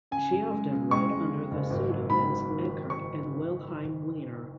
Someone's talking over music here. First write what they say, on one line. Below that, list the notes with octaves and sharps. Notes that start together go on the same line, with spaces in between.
She often wrote under the pseudonyms "Eckert" and "Wilhelm Wiener".
C#3 G#5
F#2
G#3
C#3
G#3 C#6
G#3
C#3
F#1
G#1
F#3
G#2 B5
F#3
D#3
D#3
C#6